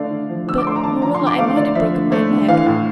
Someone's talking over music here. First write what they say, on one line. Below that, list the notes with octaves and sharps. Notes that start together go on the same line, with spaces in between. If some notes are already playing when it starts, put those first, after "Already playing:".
But, Marilla, I might have broken my neck.
Already playing: D3 A3 D5 F5
D3
F3
D3 E6
D6
A3 C6
A#5
D3 A5
F3 A#5
C6
D3
D6
A3 F5
D3 D5
F3 E5
D3
A3
D3
E3 F5
A2